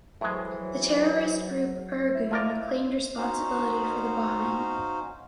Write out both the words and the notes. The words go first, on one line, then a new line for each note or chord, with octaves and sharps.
The terrorist group Irgun claimed responsibility for the bombing.
A2 E3 F#3 G#3 G#4 C5
F#3
E4
F3 A#4 D5 D#5 F5
C#4 D#4 F#4 C5 F5